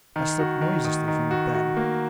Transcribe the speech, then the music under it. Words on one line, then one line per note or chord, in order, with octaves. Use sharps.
I slipped noiselessly from the bed.
D#3
F#4
D#3
D#3
D#3
F#4
F#4
A#3